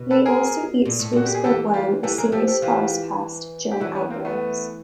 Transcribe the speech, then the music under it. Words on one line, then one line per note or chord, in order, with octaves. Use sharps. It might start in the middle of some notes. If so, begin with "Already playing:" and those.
They also eat spruce budworm, a serious forest pest, during outbreaks.
Already playing: B2
A4 B4
G#4 A#4
A#2
A2
A#2 F#4
G4
G#4
E3 G4 A4
F4 G4
E3 G4 A4
F#3 G#4 A#4
F3 G4 A4
G4 A4
E3 F4 G4
G4
E3 E4 F#4
B3 C#4
A#3 C4
A3 B3